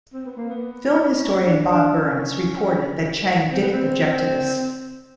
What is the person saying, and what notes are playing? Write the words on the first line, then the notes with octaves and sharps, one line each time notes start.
Film historian Bob Burns reported that Chang didn't object to this.
C4
B3
A#3
B3
C#4
D4
D4
C#4
C4
B3
C4